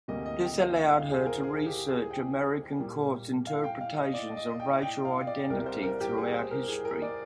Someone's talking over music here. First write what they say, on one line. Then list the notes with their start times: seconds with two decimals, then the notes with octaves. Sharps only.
This allowed her to research American courts interpretations of racial identity throughout history.
0.08 D2 C3 G3 A#3 D#5
0.26 D#5
0.42 G5
0.59 F5
0.76 D#5
0.93 F5
1.10 G#4
1.21 C5
1.27 A#4
1.43 G#4
1.66 G4
1.89 G#4
2.11 G5
2.79 A#2 G3 A#3
3.47 F5
3.64 G5
3.81 F5
3.98 D#5
4.14 D5
4.37 D#5
4.60 G5
4.82 G5
5.05 F5
5.27 D5
5.50 C2 C3 G3 A#4
5.66 C5
5.83 A#4
6.01 G4
6.17 G#4
6.34 C5
6.51 A#4
6.68 G#4
6.85 A#4
7.02 D5